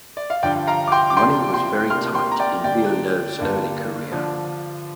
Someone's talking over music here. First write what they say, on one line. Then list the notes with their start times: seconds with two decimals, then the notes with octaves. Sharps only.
Money was very tight in Villeneuve's early career.
0.17 D5
0.30 F5
0.43 G2 D3 F3 D4 D5 G5
0.67 F5 A#5
0.87 D6
0.92 G5 C6
1.10 D6
1.17 C3 F3 D4 G5 C6
1.54 G5 C6
1.90 C3 A#3 D4 C6 F6
2.15 G5 C6
2.32 A#5
2.40 D5 G5
2.64 G2 D3 G3 D5 G5
3.38 G2 D3 A#3 D4
4.12 D3 F3 D4